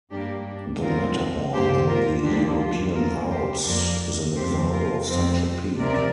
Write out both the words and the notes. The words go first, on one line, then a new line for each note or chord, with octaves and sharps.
The Matterhorn in the European Alps is an example of such a peak.
G2 G3 A#3 D4 G4
D4
F2 D3 G3 C4 F4 A#4
G2 D3 A#3 G4 C5
F4 A#4
D2 D3 F3 A#3 D4 G4
F4
D2 D3 A#3 F4 A#4
G4 C5
F2 F3 A#3 A#4 D5
F2 F3 C4 G4 C5
F4 A#4
F2 F3 C4
D2 C3 F3 A#4 D5